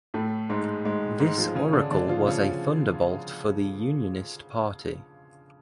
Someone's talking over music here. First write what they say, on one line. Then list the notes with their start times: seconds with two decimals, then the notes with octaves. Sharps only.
This oracle was a thunderbolt for the unionist party.
0.14 A2 A3
0.49 G#2 G#3
0.85 G#2 G#3
1.20 G#2 G#3
1.38 F3 F4
1.55 C#3 C#4
1.73 D3 D4
1.91 D3 D4
2.08 F3 F4
2.27 C#3 C#4